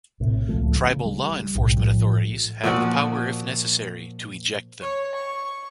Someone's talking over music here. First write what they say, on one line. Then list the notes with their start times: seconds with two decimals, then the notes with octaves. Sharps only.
Tribal law enforcement authorities have the power if necessary, to eject them.
0.20 A1 A2 C3
0.47 D1 C#2 F3 A3
0.75 C#3
1.05 G3
1.55 B1 A2 G3
1.76 A2 F3
2.64 A#2 F3 F#4 D5
4.82 C#5
5.15 C#6